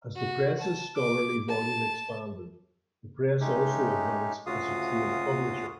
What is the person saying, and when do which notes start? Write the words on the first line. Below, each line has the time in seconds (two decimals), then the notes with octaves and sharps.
As the Press's scholarly volume expanded, the Press also advanced as a trade publisher.
0.16 F#4
0.61 A5
0.96 D6
1.49 A5
3.40 G#3 A3 C#4 D#4 G4
4.46 D2 C#3 F4 F#4 F5 D#6